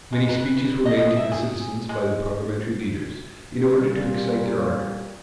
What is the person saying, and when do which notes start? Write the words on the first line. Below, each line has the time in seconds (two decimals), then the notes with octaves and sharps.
Many speeches were made to the citizens by the parliamentary leaders, in order to excite their ardor.
0.13 G#3
0.29 B4
0.85 D#5
1.17 E5
1.32 G#4
1.89 G#3
3.71 A#2 G3